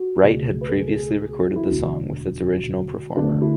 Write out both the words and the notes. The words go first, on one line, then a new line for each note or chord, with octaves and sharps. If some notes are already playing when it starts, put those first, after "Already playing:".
Wright had previously recorded the song with its original performer.
Already playing: F#4
C#2 B2 A3 G#4
B4
A4
G#4
A4
G#4
G#4
F#4
E4
F#4
E1 D2 D3
D2 D3 A3 D4
E4